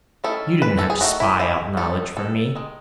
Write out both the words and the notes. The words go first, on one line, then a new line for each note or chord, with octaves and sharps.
You didn't have to spy out knowledge from me.
D#3 A3 C#4 E4 A4
B4
A4
G#4
D#3 A3 D#4 F#4
E4
E4
D#3 F#3 B3 A4
A4
D#3 G#3